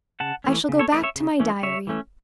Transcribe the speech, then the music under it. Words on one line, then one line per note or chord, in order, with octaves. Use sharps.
I shall go back to my Diary.
C#3 F#5 A5
E3 A3 C#4
C#3
A4 C#5
E3 A3 C#4 B4 D5
C#5 E5
C#3
E3 A3 C#4
C#3 C#5 E5
E3 A3 C#4